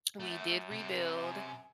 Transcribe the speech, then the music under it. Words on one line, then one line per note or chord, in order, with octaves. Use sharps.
we did rebuild
F#2 A3
C3
G#5